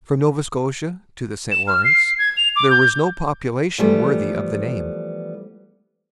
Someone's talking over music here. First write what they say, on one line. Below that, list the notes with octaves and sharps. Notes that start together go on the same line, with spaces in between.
From Nova Scotia to the St. Lawrence, there was no population worthy of the name.
E7
F6
C7
G#6
F7
D6
G6
E3 F3 G3 A3 B3